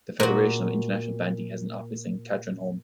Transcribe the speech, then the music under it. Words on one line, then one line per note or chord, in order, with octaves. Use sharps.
The Federation of International Bandy has an office in Katrineholm.
A#2 F#4